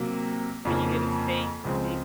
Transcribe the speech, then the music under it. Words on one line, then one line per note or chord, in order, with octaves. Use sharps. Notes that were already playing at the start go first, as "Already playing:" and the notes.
when you get a steak, it
Already playing: C3 F#3 A#3
F2 C#3 F3 A#3
C#2 C#3 F3 G#3 C4